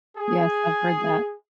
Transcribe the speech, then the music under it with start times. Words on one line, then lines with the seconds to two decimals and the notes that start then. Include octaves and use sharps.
Yes, I've heard that.
0.17 G#4